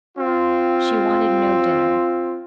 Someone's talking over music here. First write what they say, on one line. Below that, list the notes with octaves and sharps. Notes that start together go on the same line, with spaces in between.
She wanted no dinner.
C4 F4